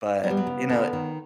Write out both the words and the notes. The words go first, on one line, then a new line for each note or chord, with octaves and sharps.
But, you know,
F#3 B3
G3
F#3
C#3
D3
D#3